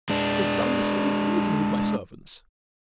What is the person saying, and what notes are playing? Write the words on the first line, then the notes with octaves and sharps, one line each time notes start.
She has done the same even with my servants.
G#3 D4